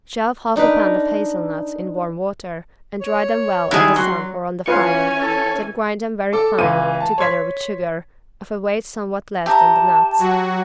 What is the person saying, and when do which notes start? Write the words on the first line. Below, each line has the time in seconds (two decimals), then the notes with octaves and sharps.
Shell half a pound of hazelnuts in warm water and dry them well at the sun or on the fire, then grind them very fine, together with sugar, of a weight somewhat less than the nuts.
0.56 D4 D#4 A#4 B4
3.01 C#5
3.71 D#3 G3 G#3 E4 G#4
3.96 F#3 F#4 C6
4.68 E3 C#4 F4 B4 C#5 F5 G#5
5.21 A4
6.33 A4 A5 D6
6.58 C#2 E3 D#7
7.00 A5
7.18 C#5 C6 G#6 B6
9.46 G4 E5 A5 A#5
10.18 F#3 F#4